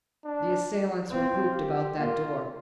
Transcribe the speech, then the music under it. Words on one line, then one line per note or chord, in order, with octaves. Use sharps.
The assailants were grouped about that door.
D4
C4 F4
G4
A#3 F4